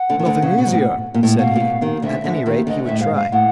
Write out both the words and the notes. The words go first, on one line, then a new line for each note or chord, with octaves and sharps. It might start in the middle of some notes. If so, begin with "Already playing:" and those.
'Nothing easier', said he; at any rate he would try.
Already playing: F#5
D2 D3
D#3
D2 D3
C#3
B2
G#2
A2
A#2
A2
B2 F5
A#2
B2
D#2 D#3
D2 D3 E5
D2 D3
D#2 D#3
D2 D3 D#5
A2 E5
G#2 F5
F5
A2 F#5